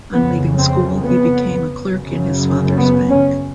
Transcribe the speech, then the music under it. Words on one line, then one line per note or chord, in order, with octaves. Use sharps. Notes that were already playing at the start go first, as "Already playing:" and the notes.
On leaving school he became a clerk in his father's bank.
F2 C#3 B3
C4
B3
F#2 C#3
B3
C#4